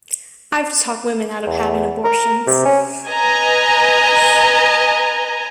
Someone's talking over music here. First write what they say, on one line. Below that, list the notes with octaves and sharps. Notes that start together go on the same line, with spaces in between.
I've talked women out of having abortions.
E2
A#4
C3
C#4
B4 D#5 G#5 A#5